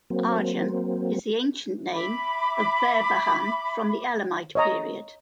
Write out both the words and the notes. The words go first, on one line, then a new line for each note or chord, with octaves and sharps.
Arjan is the ancient name of Behbahan from the Elamite period.
F#3 A#3 C4
E5 B5 D6
C#5 D#5 A#5